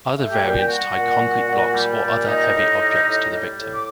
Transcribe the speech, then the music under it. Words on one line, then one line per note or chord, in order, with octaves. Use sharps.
Other variants tie concrete blocks or other heavy objects to the victim.
A3
G4 G5
A#2
G5
G3 F#4 F#5
A#2
G3
A#2
G3
A#2
G3 D#4 D#5
A2
G3
A2
G3
A2
D6